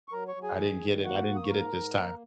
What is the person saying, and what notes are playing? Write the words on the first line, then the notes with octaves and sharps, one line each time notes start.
I didn't get it I didn't get it this time.
C#6
F#3 A#4 A#5
C#5 C#6
F#3
G#4 G#5
D#3
D#3
A#3 F#4 F#5
A#3
D#6
C#6
G#2 A#4 A#5
G#2
A#3